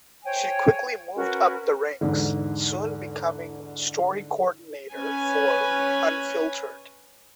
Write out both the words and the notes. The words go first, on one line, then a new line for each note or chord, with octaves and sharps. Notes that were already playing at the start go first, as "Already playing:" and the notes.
She quickly moved up the ranks, soon becoming story coordinator for "UnFiltered".
C5 C#5 G5 G#5
C#4 F#4 A#4 B4
E2 G#2 D3
C#4 B4 G#5